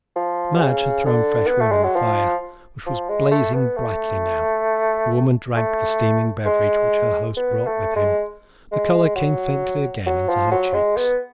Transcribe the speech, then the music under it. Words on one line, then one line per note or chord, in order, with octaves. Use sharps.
Madge had thrown fresh wood on the fire, which was blazing brightly now. The woman drank the steaming beverage which her host brought with him. The colour came faintly again into her cheeks.
F3
B2
C#3
D3
B3
A3
G#3
F#3
F3
F3
G#3
A3
B3
A3
A3
G#3
B3
A3
G#3
G#3
F#3
F#3
F3
F#3
G#3
B3